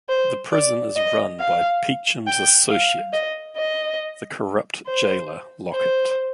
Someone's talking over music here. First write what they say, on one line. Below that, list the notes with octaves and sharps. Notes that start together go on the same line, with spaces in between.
The prison is run by Peachum's associate, the corrupt jailer Lockit.
C5
D5
D#5
F5
G5
F5
D#5
D#5
C5
C5